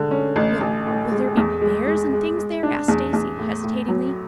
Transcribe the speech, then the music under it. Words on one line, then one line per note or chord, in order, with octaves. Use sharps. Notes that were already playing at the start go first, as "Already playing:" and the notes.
"Will--will there be bears and things there?" asked Stacy, hesitatingly.
Already playing: D3 G#3
C#4
A1
A1
A2
G#3
E2
G#3
G#3
G#3
G#3
D4
E2
E2
A2
A2
F#3